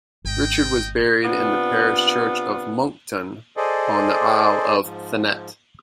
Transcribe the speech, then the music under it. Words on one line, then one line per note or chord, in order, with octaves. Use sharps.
Richard was buried in the parish church of Monkton, on the Isle of Thanet.
G#1 D#5 G5
C3 B3 D4 F4
G#4 A4 C5 D5 D#5
G#2 F3